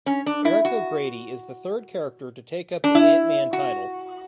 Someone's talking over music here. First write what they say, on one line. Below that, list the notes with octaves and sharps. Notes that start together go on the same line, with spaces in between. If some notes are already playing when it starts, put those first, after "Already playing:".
Eric O'Grady is the third character to take up the Ant-Man title.
C#4
D4
E4
F#4
D4
E4
F#4